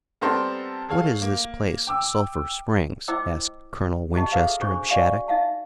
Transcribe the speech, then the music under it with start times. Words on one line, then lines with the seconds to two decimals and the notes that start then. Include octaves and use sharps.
"What is this place, Sulphur Springs?" asked Colonel Winchester of Shattuck.
0.21 G3 B3 C4 A4 A#4 C5
0.89 G#4 A4 C#5 F5
1.22 A#3
1.87 G5 D6 E6
3.08 E4 C5 D#5 G5 D6 E6
4.15 G4 D#5 G5 A5
4.32 F#4 G#4 A4 B4 E5 F5
4.60 C#4 D4 G#4 C5 G#5 C#6
4.90 F#4 D5 E5 F5 G#5 C#6
5.28 D#4 E5 F5 A5